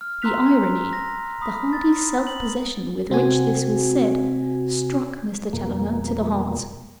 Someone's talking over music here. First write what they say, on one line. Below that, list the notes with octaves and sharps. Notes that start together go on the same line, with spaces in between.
The irony, the hardy self-possession with which this was said struck Mr. Challoner to the heart.
F6
A#5 C6 E6 F#6 B6 F7
A#6
B5 D#6 B6
A6
F#7
C3 C4 F#4 G#5
F2 B2 A#3